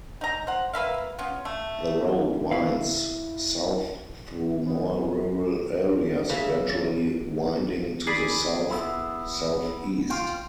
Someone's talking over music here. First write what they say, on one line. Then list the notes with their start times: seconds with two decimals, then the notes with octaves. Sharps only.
The road winds south through more rural areas, eventually winding to the south-southeast.
0.21 D#4 A#5
0.47 C5 F#5
0.73 A#3 B4 E5 F5
1.18 B3 C#4 F4
1.45 A3
2.51 E4 F5
4.66 B3 C#4
6.30 C#3 E5
8.07 G#4 D5 B5
8.70 B3 E4
10.10 F4 G5